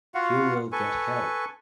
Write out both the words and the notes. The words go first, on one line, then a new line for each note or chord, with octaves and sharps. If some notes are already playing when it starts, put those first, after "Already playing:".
You will get help.
F4 F#4 F5 F#5
A4 B4 G#5 C#6